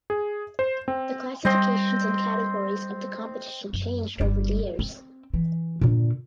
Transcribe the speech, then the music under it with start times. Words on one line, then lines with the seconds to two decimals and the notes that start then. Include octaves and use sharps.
The classifications and categories of the competition changed over the years.
0.10 G#4
0.59 C5
0.88 C4
1.45 G3 C4 C5 D#5
3.73 F#2
4.20 G1 G3
4.79 C4
5.34 E3
5.81 A#2 D3